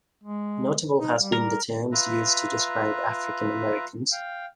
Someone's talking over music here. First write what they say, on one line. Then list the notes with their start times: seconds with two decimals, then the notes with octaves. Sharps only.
Notable has been the terms used to describe African-Americans.
0.23 G#3
1.00 D#4
1.19 G3
1.32 A#4
1.92 F4 B4 E5 A#5
4.12 F5 G5